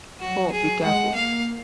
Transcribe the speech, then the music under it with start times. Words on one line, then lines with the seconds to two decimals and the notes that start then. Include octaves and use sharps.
Oh, be careful.
0.20 F#3 F#4
0.52 G#4
0.83 G#3 F#5
1.14 A#3 F5